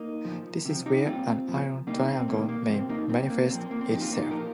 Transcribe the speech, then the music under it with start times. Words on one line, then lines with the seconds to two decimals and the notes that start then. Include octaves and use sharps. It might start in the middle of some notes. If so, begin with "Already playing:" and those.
This is where an iron triangle may manifest itself.
Already playing: A#3 D#4
0.25 A#2 F3
0.65 C3 F3
0.86 D#4 G4
1.06 A#2 G3 C4 F4
1.47 A#2 F3
1.87 C3 G3 A#3 D#4
2.08 C4
2.28 C3 D#3 G3 A#3
2.49 A#3
2.69 C3 F3 C4
2.89 A#3 D#4
3.09 A#2 G3 C4
3.30 A#3
3.50 A#2 C4
3.54 F3
3.60 C4
3.71 A#3
3.81 C4
3.91 A#2 F3 D#4 G4
4.01 C4 F4
4.11 A#3 D#4
4.21 D#4 G4
4.31 A#2 F3 F4 A#4